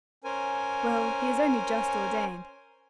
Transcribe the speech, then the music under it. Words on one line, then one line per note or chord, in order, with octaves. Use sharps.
Well, he is only just ordained.
C#4 A#4 C5 G#5